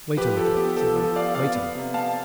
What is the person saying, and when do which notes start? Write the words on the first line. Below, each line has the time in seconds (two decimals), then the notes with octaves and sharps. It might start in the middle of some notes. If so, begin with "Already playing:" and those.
"Wait a little," said I, "wait a little."
0.17 F3 G4 B4
0.37 F3 A4
0.57 B3 G4
0.77 F3 A4
0.95 F3 A4
1.15 B3 D5 F5
1.35 B3 D5 F5
1.55 B3
1.75 C3
1.94 B3 F5 A5